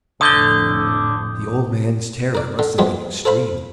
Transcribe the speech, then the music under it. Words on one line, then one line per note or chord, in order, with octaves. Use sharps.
The old man's terror must have been extreme!
F1 F2 A2 D3 D#6 G6 G7
A#4 D5
D3
A#1 B2 F3 G#3 C6
A4 C5 F5 B5